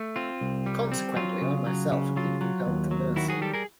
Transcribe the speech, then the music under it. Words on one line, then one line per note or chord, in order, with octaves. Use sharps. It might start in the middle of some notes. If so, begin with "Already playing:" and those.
Consequently I myself have been compelled to nurse him.
Already playing: A3
C4 F4
C2
G3
C4
F#3 F4
C#3
F#3
C#3
F#3 F4
F#3
D#2
F#3
D#3 E4 F#4
F#4 G#4
G3 G4 A4
G#4 A#4